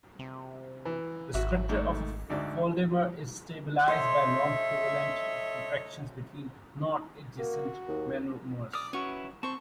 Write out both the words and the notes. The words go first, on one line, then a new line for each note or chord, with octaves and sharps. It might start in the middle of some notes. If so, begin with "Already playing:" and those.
The structure of a foldamer is stabilized by noncovalent interactions between nonadjacent monomers.
C3
E3
G#1 F#4 E5
G#2 A3
D2 G#2 D5
A4 C5 C#5 D#5 E5
A#3 F#4
D#2
D5 D#6 F6
C#4 E4 F#4 B4 C#6
C4 C5 A5 C#6